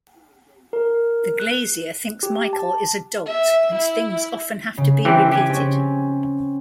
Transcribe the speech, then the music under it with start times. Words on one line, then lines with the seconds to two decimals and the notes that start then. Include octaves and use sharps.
The glazier thinks Michel is a dolt, and things often have to be repeated.
0.73 A#4
1.40 F#6
2.23 G4
2.53 A5
3.27 E5
3.75 E4
4.78 C#3
5.05 E3 C4 G4
5.32 G4 G#5
5.50 C4 C#4